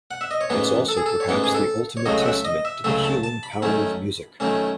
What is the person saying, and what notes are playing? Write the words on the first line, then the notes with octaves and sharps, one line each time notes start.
It's also perhaps the ultimate testament to the healing power of music.
F#5
E5
D#5
C#5
A1 G#2 E3 B3 B4
A4
G#4
A4
C#5
A1 G#2 E3 B3 B4
G#4
A4
C#5
C#2 C#3 F#3 A3 D#5
F#5
E5
D#5
E5
C#2 C#3 F#3 A3 E5
B5
A5
A5
B5
F#2 D#3 A3 C#4
F#2 D#3 A3 C#4